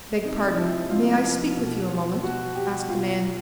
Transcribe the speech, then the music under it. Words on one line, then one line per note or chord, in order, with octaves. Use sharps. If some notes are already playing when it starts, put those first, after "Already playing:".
"Beg pardon; may I speak with you a moment?" asked the man.
C3 D#4
F3 E4
C3 F4
F3
B2
B2 F#4
G4
B2 F4